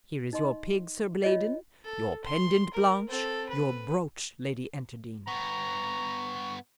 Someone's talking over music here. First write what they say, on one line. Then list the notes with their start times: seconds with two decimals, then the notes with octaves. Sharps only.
Here is your pig, Sir Blaydon; your pendant, Blanche; your brooch, Lady Enterdean.
0.33 D#4 D#5 C6
1.24 F4 C#5 D#5
1.85 A4
2.25 C6
2.74 A#4
3.08 C4 A4
3.49 B4
5.28 G2 B3 A#5 C#6